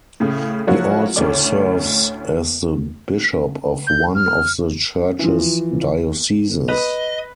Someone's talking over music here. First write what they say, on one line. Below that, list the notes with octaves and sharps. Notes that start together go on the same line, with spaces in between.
He also serves as the bishop of one of the Church's dioceses.
A2 C#3
F3 F#3 A#3 C#4 E4 F#4
D2 A2 C#4 C#5 D6
G6
F6
E3 F3
B4 D#5